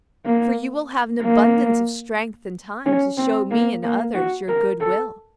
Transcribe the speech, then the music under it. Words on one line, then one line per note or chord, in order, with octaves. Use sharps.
For you will have an abundance of strength and time to show me and others your good will.
A#3
A#3
C#4
C4
A#3
A#3
F#4
A#4
A4